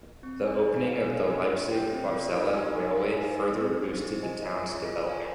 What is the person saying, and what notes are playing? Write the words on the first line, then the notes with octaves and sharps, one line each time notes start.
The opening of the Leipzig-Probstzella railway further boosted the town's development.
C4
D#4 A#4 D5 G#5
G#4
C5 F5 G#5
D4
G4 A#4
F4
C5 G5
C4
F4 A#4 D5
D#4
G4 A#4 F5 G#5
D#4
A#4 F5 G#5
D#4
G#4 C5
C4
D#4 G4 C5
G#4
C5 D#5 G#5
F4
G#4 D#5
F4
A#4 F5 G#5